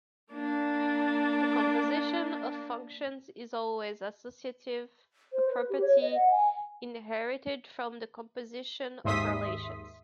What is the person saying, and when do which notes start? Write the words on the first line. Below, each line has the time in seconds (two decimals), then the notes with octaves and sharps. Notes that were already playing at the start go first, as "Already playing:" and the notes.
The composition of functions is always associative-a property inherited from the composition of relations.
0.33 A#3 D4
5.32 C5
5.49 B4
5.69 G4
5.81 C#5
6.00 D#5
6.14 F#5
6.31 G#5
9.04 D#2 G#2 E5 C6 D#6 B6